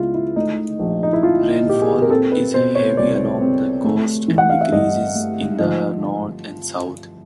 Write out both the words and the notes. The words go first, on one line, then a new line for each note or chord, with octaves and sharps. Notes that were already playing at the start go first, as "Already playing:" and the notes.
Rainfall is heavy along the coast and decreases in the north and south.
Already playing: C#2 G#3 B3 E4 F4
E4
A3 D#4
A#1
D#4
E4
F3 F4
A#2 G4
G#4
A#4
C4 A4
B4
B2 C5
C#5
C2 D5
C4
A3
E3
F#5
F5
E5
G2 D#5
A3
F3 D#5